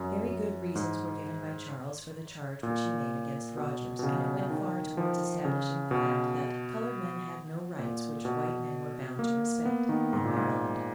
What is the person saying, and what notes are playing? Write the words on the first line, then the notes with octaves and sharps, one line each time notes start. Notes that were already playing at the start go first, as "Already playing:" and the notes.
Very good reasons were given by Charles for the charge which he made against Rodgers, and it went far towards establishing the fact, that "colored men had no rights which white men were bound to respect," in Maryland.
Already playing: F#2
F#2
G#2
A#2
B2
B2
C#3
D#3
F3
C#3
B2
A#2
B2
A#3
B3
D#3
G#2
A#2
G#2